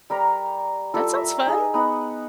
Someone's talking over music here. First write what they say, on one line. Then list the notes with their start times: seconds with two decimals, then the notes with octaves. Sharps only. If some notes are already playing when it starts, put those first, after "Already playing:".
That sounds fun.
0.10 G3 A#4 G5 A#5
0.94 G3 F4 A4
1.14 A#4 E5
1.46 D#4 G#4
1.74 B3 D#4 F#5